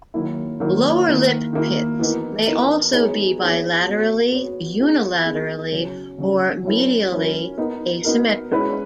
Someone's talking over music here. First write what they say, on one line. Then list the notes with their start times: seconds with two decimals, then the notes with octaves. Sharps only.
Lower lip pits may also be bilaterally, unilaterally, or medially asymmetrical.
0.14 D#3 F#3 A#3 E4
0.60 D#3 F#3 A#3 E4
1.07 D#3 A#3 E4
1.53 D#3 A#3 E4
1.99 E3 B3 D#4 A#4
2.46 E3 B3 D#4 A#4
2.92 B3 D#4 G#4 C#5
3.39 B3 D#4 G#4 C#5
3.86 B3 F#4 C#5
4.32 B3 F#4 C#5
4.79 B3 E4 G#4
5.25 B3 E4 G#4
5.72 C#3 F#3 C#4 F#4
6.18 C#3 F#3 C#4 F#4
6.64 F#3 C#4 E4 A#4
7.12 F#3 C#4 E4 A#4
7.58 B3 D#4 A#4
8.05 B3 D#4 A#4
8.51 G#3 C#4 E4 B4